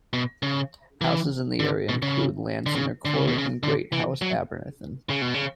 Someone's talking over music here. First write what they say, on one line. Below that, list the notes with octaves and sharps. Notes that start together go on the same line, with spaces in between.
Houses in the area include Llansannor Court and Great House, Aberthin.
B2
C#3
E3
D3
B2
C#3
D3
C#3
D3
C#3
B2
C#3
D3
E3
F#3
C#3
B2
C#3